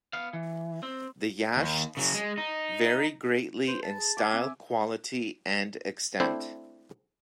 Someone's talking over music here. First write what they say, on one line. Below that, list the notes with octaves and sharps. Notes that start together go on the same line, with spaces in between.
The "Yasht"s vary greatly in style, quality and extent.
B3 F5
E3
C4
D#2
C#3 F#3
G#3
D#4
B4 C5
A5
G#4
G#5 D6 B6
C4 E5
A3 C4 D4 E4 C5